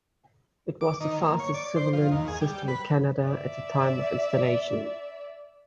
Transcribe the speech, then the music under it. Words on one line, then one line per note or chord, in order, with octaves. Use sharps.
It was the fastest civilian system in Canada at the time of installation.
D6
D#3
A#3
C#5
D5
C5
F3
D#2
G#4
G3
B4
D5 E5